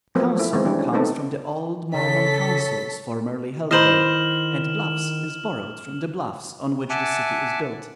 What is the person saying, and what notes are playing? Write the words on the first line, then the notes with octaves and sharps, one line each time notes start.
Council comes from the old Mormon councils formerly held there, and Bluffs is borrowed from the bluffs on which the city is built.
F3 F#3 A3 B3 C4 A#4
A3 E4
D#3 F3 G#3 B3 C4
G3 C#4 D4 E4 G4
C#4
A3 B3 C4 D#4 A4
C#3 A4 C#5 B6
D#3 E4 B4 C5 D#5 F6 E7 F#7
E5 F#5 G#5 A5 D6